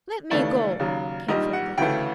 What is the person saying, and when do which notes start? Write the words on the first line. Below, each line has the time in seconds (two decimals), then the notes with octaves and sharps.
"Let me go!" came from Dick.
0.31 D#2 C#3 E3 A3 D5
0.79 D#2 C#3 F#3
1.28 A#1 G#2 D#3 G3 D#5
1.53 F#5
1.78 D2 C#3 E3 A3 G5